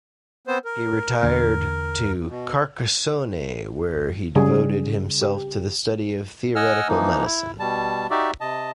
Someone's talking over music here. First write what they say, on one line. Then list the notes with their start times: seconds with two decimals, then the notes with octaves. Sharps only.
He retired to Carcassonne, where he devoted himself to the study of theoretical medicine.
0.47 B3 C4 C5
0.65 A#4
1.23 E2 D3 A#3
2.29 B2
4.36 C#3 G3 G#4
5.22 G4
6.56 D#5 F#5 G#5 E6 F6
6.88 E3 F3 A#3 D#4
7.25 E4
7.59 B2 G3 A5
8.10 D#4 F#4 G4 D5 E5
8.41 C3 D#5 A5